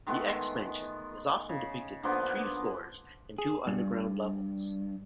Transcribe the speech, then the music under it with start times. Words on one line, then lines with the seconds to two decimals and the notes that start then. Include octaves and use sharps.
The X-Mansion is often depicted with three floors and two underground levels.
0.07 D#3 G#3 A3 B3
1.49 C#3
2.03 D3 F3 A#3 B3
3.38 G#4
3.67 G2